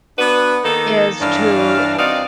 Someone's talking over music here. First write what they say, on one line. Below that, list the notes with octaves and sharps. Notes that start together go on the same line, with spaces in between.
is to
B3 D4 F#4 B4
D#3 A#3 D#4 A4
G2 E3 C#4 D4 F5
C4 D#4 F#4 D5 F5